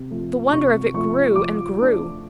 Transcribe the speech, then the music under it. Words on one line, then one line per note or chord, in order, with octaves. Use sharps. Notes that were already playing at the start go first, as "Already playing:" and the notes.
The wonder of it grew--and grew.
Already playing: C3
F3 A3
C3 C#6
F3 A3 C#6
F3 D6
A3 D4